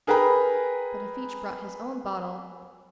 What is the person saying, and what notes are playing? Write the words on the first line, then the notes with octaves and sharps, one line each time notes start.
But if each brought his own bottle . . .
G#4 A#4 B4 G5 A#5 B5